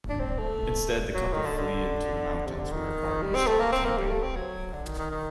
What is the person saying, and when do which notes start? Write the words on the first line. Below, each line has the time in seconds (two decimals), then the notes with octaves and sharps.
Instead, the couple flee into the mountains where Bart used to go camping.
0.10 D4
0.20 C4
0.39 A3
1.14 F#3
1.33 D#3
1.46 D3
1.58 D3
2.46 C3
2.59 D3
2.71 D#3
3.22 G3
3.35 C4
3.47 A3
3.59 A#3
3.72 C4
3.85 A#3
3.98 G3
4.11 A3
4.22 C4
4.36 F#3
4.73 D3
4.86 D#3
4.98 D#3
5.11 D#3